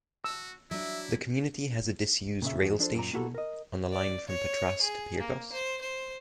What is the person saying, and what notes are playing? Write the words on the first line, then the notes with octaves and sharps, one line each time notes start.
The community has a disused rail station on the line from Patras to Pyrgos.
F#4 E6
F#3 D4 E4 E5
A#2 C#3 E5
E2 F#4
F3 D4 A4 C5
F#2 A#2 A#5
A#3 E4 F#4 G4 A4
A#4 D#5
D5
C#5
G#4
A#3
C5
C5